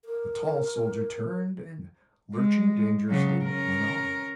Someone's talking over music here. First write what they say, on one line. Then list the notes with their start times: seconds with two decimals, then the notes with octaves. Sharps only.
The tall soldier turned and, lurching dangerously, went on.
0.05 A#4
2.35 G#3
3.08 C#3 F#3
3.44 C#4 A#4